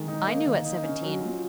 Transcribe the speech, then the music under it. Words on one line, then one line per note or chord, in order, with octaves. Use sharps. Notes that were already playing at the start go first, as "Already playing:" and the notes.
"I knew at seventeen."
Already playing: D#3 G#3
D#4
A#3
D#3
D#4
C#4
F#3
F4